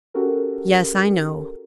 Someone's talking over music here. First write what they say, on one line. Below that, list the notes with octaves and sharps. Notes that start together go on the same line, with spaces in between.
"Yes; I know."
C#4 F#4 G4 A4 A#4